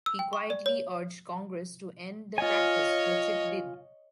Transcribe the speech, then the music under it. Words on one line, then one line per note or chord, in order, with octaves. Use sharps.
He quietly urged Congress to end the practice, which it did.
E6
G5
C#6
D5
C#5
F4 C#5 D#5 G#5